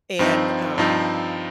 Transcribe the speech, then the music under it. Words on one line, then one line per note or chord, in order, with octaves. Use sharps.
and, um,
G2 F3 C4 D#4
G2 F3 C4 D#4